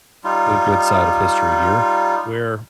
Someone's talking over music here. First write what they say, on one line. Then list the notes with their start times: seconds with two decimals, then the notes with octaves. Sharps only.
the good side of history here, where
0.24 G3 D#4 F4